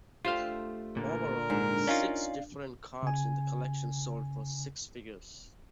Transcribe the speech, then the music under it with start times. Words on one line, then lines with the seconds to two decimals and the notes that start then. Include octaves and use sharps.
Overall, six different cards in the collection sold for six figures.
0.25 A3 D4 F4 G4 C5 F5
0.97 A#2 D3 A#4
1.50 G#2 D4
1.87 C#4 D#4 F4 D5 F5
3.03 C#3 G#5